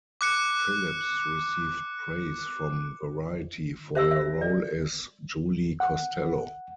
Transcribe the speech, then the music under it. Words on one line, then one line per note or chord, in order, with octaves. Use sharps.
Phillips received praise from "Variety" for her role as Julie Costello.
D6 F#6 C#7
G4 C5 E5 E6
E5
D5
F#5